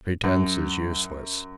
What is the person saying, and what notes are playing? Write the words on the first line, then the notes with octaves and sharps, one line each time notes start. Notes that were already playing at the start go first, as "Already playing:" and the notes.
Pretence is useless.
F#2